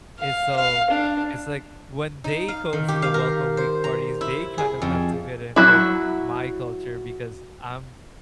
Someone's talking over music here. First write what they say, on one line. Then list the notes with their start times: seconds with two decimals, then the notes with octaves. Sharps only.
and so, it's, like, when they go to the welcome week parties, they kind of have to fit in with my culture because I'm
0.19 F5
0.56 F5
0.91 D4
2.24 D#4
2.48 F5
2.73 D#3
2.88 G4
3.02 F5
3.14 A#4
3.57 C5
3.84 A#5
4.21 E4
4.58 G#4
4.82 F2
5.56 F#3 E4